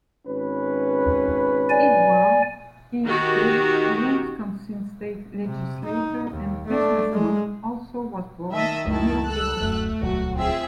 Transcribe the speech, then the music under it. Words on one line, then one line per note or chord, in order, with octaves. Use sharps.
Edward I. Kidd, Wisconsin state legislator and businessman, also was born in Millville.
G#1 C#4 B4
D5 G#5
D#3 F#4 G4
C3
D#4
D#2
A3 D4
G#3
D#3 D#5 E5 A5
C#2 F#2 D#3 E4 A5
A4 E6 F#6
D1 F#2 A3
D#1 C#2 F#3 F#4
C4 F4 G#4 E5